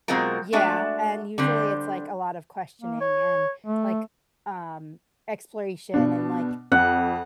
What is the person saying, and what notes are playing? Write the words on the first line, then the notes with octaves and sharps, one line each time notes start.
Yeah, and usually, it's, like, a lot of questioning and, like, um, exploration and, like,
B2 F#3 G#3 C4 F4 A#4
G#3 A3 D4 F#4 E5
D3 G3 C4
A#3
C#5
A3
B2 D4
F2 F#5